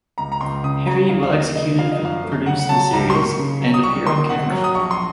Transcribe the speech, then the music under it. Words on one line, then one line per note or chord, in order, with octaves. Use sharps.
Harry will executive produce the series and appear on camera.
C#2 A#5
A#5
C#2 C6
C#3 D#6
F#3 A#5
D#2 F5
F5
A#3 D#5
C#3 D#5
F3 F5
D#5
F#2 F5
A3
C#3 F#5
F#5
F#3 A5
C#2 A#5
C6
A#3 C#6
C#3
F#3
D#6
C2 C#6
A#3 C6
C3 F#5
F#3
D#6
A#1 C#6
C6